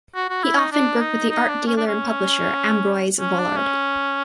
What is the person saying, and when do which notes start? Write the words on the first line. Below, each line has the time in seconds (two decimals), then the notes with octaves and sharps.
He often worked with the art dealer and publisher Ambroise Vollard.
0.15 F#4
0.30 F#4
0.44 E4
0.58 D#4
0.72 D4
1.01 D#4
1.29 D#4
1.48 D4
1.67 C#4
1.77 D4
1.87 C#4
3.19 C#4
3.39 D4
3.57 C#4